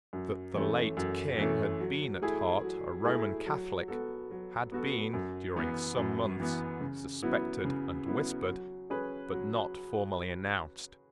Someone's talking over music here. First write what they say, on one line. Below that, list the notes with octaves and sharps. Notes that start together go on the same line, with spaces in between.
That the late King had been at heart a Roman Catholic had been, during some months, suspected and whispered, but not formally announced.
F#2
E3 A3 C#4
F#2
E3 A3 C#4
F#3
A3 E4 G#4
F#3
A3 E4 G#4
F#3
B3 F#4 A4
F#3
B3 F#4 A4
F#2
E3 B3
F#2
E3 B3
C#3
F#3 B3 E4
C#3
F#3 B3 E4
F#3
C#4 G#4 B4
F#3